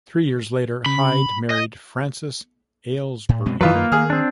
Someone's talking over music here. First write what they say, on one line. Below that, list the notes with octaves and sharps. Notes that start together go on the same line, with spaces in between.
Three years later, Hyde married Frances Aylesbury.
C#3 B5
D#5 G#5 G6
A2
B2 G#3 C4
F#2 D#3 E3 F#3 D#4 F4 B4
A#3
D#3 G#4 F6
C4 D4